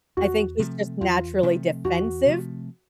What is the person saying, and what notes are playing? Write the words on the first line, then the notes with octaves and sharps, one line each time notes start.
I think he's just naturally defensive,
E2 F#4
C3 F3 A3
E2 F4
C3 F3 A3
E2 F#4
C3 F3 A3